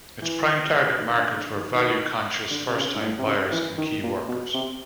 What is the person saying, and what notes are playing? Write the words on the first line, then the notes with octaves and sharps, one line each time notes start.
Its prime target markets were value-conscious first time buyers and key workers.
E3
D#3
D3
D3
D#3
D#3
D3
C3
C#3
G#2
A2
C3
C#3
E3
D#3
A#2
B2
C3